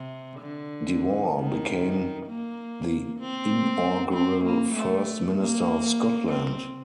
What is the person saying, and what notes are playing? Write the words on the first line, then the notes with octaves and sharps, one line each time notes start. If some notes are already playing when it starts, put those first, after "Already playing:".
Dewar became the inaugural First Minister of Scotland.
Already playing: C3
D3
D#3
A#3
C4
C4
A#3
A3
A#3
C4